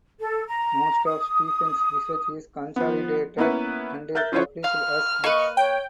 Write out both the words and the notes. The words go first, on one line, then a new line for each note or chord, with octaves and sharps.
Most of Stebbins research is consolidated and published as books.
A4
A#5
D#6
F3 B3
A#3 B3 C#4 E4 B4
A#4 E5 F#6 G6 A6
F3 C#4 E4 F4 C5 C#5
F5 F6
A#3 B4 D#5 C#6
C#5 G5